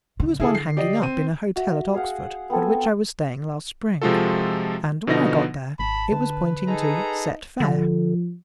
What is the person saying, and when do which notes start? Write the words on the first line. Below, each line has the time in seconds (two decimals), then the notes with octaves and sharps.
There was one hanging up in a hotel at Oxford at which I was staying last spring, and, when I got there, it was pointing to "set fair."
0.20 D3
0.40 D3 E4 G#4 A4
0.55 C7
0.77 G4 D5 D#5
1.02 C4 D#7
1.56 F#4 E5
1.94 G#4 F5 F#5
2.50 B3 C4 A4 G#5
4.02 C3 F3 G#3 F4 F#4 A4
5.07 B2 D3 F3 B3 D#4 A#6
5.79 G#1 A5 B5
6.12 D3 B4
6.67 D#4 G#4 A4 A#5
7.60 D3 F3